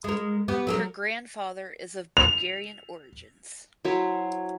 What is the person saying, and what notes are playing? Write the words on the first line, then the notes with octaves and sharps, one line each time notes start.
Her grandfather is of Bulgarian origins.
G#3 A#4
B3 G4
F#3 A4 A#4
F7
F#3 E4 C5 C#5